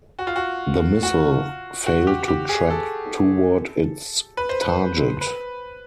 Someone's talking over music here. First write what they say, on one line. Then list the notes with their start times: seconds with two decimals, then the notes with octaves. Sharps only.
The missile failed to track toward its target.
0.19 F#4
0.27 F4
0.36 F#4
1.03 F#4
1.86 F#4
2.07 G4
2.28 G4
2.49 G#4
2.70 A4
4.37 B4
4.49 C5
4.62 B4
5.21 B4